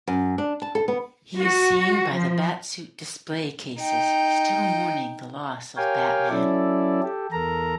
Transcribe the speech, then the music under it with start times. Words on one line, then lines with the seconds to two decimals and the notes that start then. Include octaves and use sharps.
He is seen by the Bat-Suit display cases, still mourning the loss of Batman.
0.07 F#2
0.38 D4
0.62 A5
0.75 A4
0.88 B3
1.38 F#4
2.14 F3
3.80 D#4 G5
5.77 G4 A#4 C#5 F5 G5 G#5
6.29 F#3 C#4 E4 A4 D5
7.03 G4 A4
7.32 E2 A4 A#4 A#5